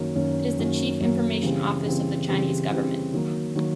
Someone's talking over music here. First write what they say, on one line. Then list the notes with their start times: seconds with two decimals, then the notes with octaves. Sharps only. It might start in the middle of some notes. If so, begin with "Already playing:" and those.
It is the chief information office of the Chinese government.
Already playing: F#2 D#3 F#3 A#3 C#4
0.15 F#2 D#3 F#3 A#3 C#4
0.58 F#2 D#3 F#3 A#3 C#4
1.00 F#2 D#3 F#3 A#3 C#4
1.42 C#3 E3 G3 C4
1.86 C#3 E3 G3 C4
2.28 C#3 E3 G3 C4
2.71 C#3 E3 G3 C4
3.13 D#3 F#3 A#3
3.55 D#3 F#3 A#3